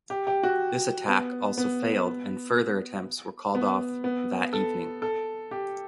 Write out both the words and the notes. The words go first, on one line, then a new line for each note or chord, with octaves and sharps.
This attack also failed and further attempts were called off that evening.
G4
G4
F#4
B3
B3
B3
B3
A4
A4
G4